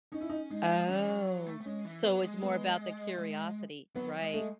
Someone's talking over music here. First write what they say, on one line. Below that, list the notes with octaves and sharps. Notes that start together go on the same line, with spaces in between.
Oh, so it's more about the curiosity, right?
C#4 D#4
E4
D#4
G#3 D#4
E3 C#4
F#3
F#3
A3
A3
G#3 C#4
E3
F#3 B3
G#3
B3
G#3
F#3 B3
G#3
A3